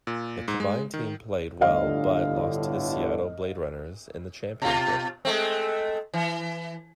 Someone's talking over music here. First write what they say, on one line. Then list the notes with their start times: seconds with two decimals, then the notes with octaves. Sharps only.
The combined team played well but lost to the Seattle Bladerunners in the championship.
0.07 A#2
0.48 G#2
0.60 G#3
0.94 D#3
1.61 G1 A2 D3 D#5 F5
4.62 B2 F4
5.25 G#3 A3 C4
6.14 E3